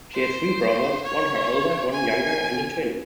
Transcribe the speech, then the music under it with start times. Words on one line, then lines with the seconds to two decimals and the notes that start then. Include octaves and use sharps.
She has three brothers, one her elder, one younger and a twin.
0.14 C5
1.03 C#5
1.91 G#5